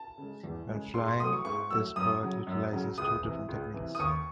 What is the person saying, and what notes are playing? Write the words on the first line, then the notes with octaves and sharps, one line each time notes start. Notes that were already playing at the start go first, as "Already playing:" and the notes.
When flying, this bird utilizes two different techniques.
Already playing: A5
C#3 G#3
E2
C#3 G#3
G#2 C6
C6
F#3 A3 D#6
C#6
G#2 C#6
F#3 A3 E6
F#2 D#6
C#3 F#3
F#2
C#3 F#3
C#2 D#6
C3 E3
C#2
C3 E3
D#6
D#2 C#6